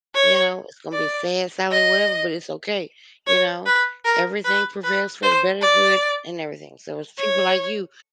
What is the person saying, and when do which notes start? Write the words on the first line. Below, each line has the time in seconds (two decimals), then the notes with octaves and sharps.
you know? It's gonna be sad, sadly, whatever, but it's okay, you know? Everything prevails for the better good, and everything, so, it's people like you
0.15 C#5
0.93 D5
1.71 D#5
3.27 C#5
3.66 B4
4.05 A#4
4.45 B4
4.84 B4
5.23 C5
5.62 D5
7.18 C#5